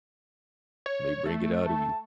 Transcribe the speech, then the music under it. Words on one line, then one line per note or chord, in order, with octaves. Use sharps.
they bring it out of you.
C#5
A3
A5